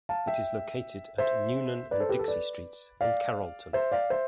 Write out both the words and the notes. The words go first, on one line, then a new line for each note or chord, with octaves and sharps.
It is located at Newnan and Dixie Streets in Carrollton.
F5 A5
E5 G5
C5 E5
B4 D5
A4 C5
G4 B4
A4
B4 D5
D5 F5
C5 E5
D5 F5
C5 E5